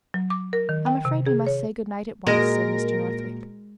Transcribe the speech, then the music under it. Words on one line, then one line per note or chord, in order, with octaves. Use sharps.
"I'm afraid we must say good night at once," said Mr. Northwick.
F#3
D6
A#4
D#3
G5
C3
G#4
C#5
A#2 G#3 F#4 A#4 A#6 D7